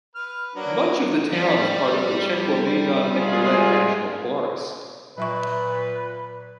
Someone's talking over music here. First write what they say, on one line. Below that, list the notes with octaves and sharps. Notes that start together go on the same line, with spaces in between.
Much of the town is a part of the Chequamegon-Nicolet National Forest.
B4 F6
F#3 A#3 B3 D4 A#5
G3
G#3 F4 G#4
A#2 F#3 B4 E5 C#6